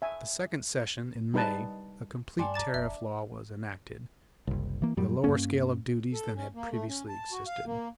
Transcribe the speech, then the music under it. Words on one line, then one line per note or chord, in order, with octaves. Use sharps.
At the second session, in May, a complete tariff law was enacted, with a lower scale of duties than had previously existed.
E5 G#5
G3 D#4 B4 D#5 A5
G2 D4 G5 G#5 C6
A5 A#5 D6 A6 E7
F1 E5
F#1 C2
E3 A#3
F#2 F#3 G3
G2 A#3 C#4
A4
C#4
A#3
A3
C#4
A5
F#4
F5
A#3